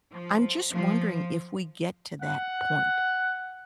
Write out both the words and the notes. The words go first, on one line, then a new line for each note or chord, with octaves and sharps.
I'm just wondering if we get to that point.
F3
F3
F#5